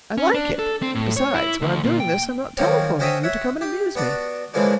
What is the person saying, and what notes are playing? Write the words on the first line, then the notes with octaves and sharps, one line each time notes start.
I like it; besides, when I'm doing this I'm not telephoning you to come and amuse me.
C#4
D4
A4
C4
A2
C#5
E4
D2
A#2
G5
D#3 F3 F#3 A#3 C4 C#4
C#4 F#4 C5 D#5 E5 G5
C#5 E5 F#5
G4
B3 D4 F#4 D5
C#3 E3 F3 G#3 A#3 D4